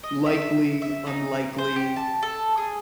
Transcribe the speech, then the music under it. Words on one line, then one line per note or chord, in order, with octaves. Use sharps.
likely, unlikely?
D#5
E5
E5
D#4
C5
G4
A5
A4
G#4